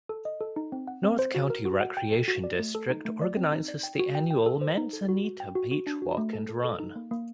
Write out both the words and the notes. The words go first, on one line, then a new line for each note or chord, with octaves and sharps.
North County Recreation District, organizes the annual "Manzanita Beach Walk and Run".
A4
D#5
A4
D#4
C4
F#5
C4
C5
F#4
A#4
F#4
F#5
G5
A4
F#4
D5
A3
A4
D#4
A3
D5
C4
D#4
D5
G5
F#4
G5
G5
A4
C5
D#4
A4
F#4
F#4
G5
F#4
F#4
D4
F#4
A3
A4
A4
A4
D#4
A#3
A#3